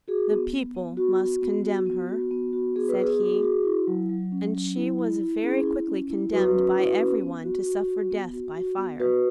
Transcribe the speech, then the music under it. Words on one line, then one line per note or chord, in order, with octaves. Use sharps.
"The people must condemn her," said he, and she was very quickly condemned by everyone to suffer death by fire.
F#4 G#4
B3
B3
B3
B3 F#4
F#4
B3
F#4
B3
F#4
B3
F#4
B3 G#4
B4
B3 G#4
F#4
F#4
E4
F#3
F#3
C#4
F#3
E4
E4
E4
C#4 G#4
E4
C#4
E4
F#3 F#4 B4
C#4
E4
C#4
B3
F#4
F#4
F#4
B3
F#4
F#4
B3
B3 F#4 B4